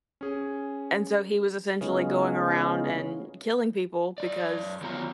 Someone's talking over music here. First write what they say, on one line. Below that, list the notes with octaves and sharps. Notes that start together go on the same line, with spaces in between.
and so he was essentially going around and killing people because
C#4 G#4
C#3 G#3 B3 C#4 D#4 F4
F#2 D#3 D5
D#3 F#3 B3 F4 A#5